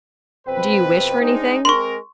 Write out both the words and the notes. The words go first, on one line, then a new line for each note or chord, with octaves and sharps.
"Do you wish for anything?"
F2 B2 C4 B4
G#3 D4 D#4
G#3 C4 A#4 C6 C#6